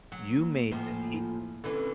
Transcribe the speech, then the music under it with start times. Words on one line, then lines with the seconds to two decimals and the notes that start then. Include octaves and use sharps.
you made the he
0.12 F#3
0.34 A#3
0.71 A2 F3 A#3 G#5
1.64 D3 E3 C4 C#4 A4